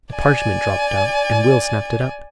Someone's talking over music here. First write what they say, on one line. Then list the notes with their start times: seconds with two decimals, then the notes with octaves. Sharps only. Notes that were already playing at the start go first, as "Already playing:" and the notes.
A parchment dropped out and Will snapped it up.
0.14 D5 G#5